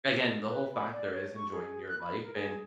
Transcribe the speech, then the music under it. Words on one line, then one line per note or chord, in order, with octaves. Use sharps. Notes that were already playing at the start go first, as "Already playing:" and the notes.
again, the whole factor is enjoying your life, and
B4
B5
D5
C#5
C#6
G#4
F#6
B5
A#4
G#4